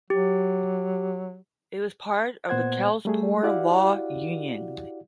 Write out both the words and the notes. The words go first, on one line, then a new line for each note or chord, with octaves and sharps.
It was part of the Kells Poor Law Union.
F#3 G4
A#2 B3 C5 F#5 G#6
G3 A3 G#4
E4 F#4 G4 D5 F5 F#5